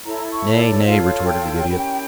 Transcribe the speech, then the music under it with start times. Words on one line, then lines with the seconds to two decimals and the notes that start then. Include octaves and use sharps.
"Nay, nay," retorted the Idiot.
0.05 E4 A4 C#5 A#5
0.31 C#6
0.59 D5
0.85 F4 A4 C#5 F5
1.26 G5
1.66 C#4 E4 G4 A#4